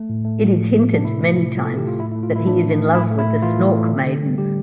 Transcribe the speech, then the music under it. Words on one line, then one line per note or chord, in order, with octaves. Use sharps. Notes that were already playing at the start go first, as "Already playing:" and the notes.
It is hinted many times that he is in love with the Snork Maiden.
Already playing: A3
A2
A3
A2
F3
A2
A3
D4
C3 E4
A3
C3
F3 F4
C3 A4
G4
A3 F4
A2 E4
E4
A3
F4
A2 E4
E3 D4
A2
A3
A2 E4
A3
E4
A2
E3 F4
A2
A3
D3
D3
G3
G3 G4